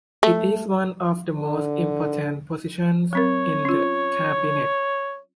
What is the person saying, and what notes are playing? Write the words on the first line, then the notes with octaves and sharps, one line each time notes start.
It is one of the most important positions in the Cabinet.
A3
D3
F#3 C4 A#4 C#5
C#4 F4